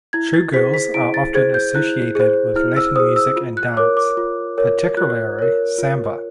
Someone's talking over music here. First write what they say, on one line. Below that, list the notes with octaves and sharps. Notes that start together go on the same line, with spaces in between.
Showgirls are often associated with Latin music and dance, particularly samba.
E4 G#6
A6
G#4 C5 B6
B6
E4 D7
A6
G#4 C5 G#6
G6
E4 F#6
G#4 C5
E4 F6
E6
G#4 C5 D#6
E6
F4
F#6
A#4 C#5 D6
D6
F4
A#4 C#5
F4 F#6
A#4 C#5
F4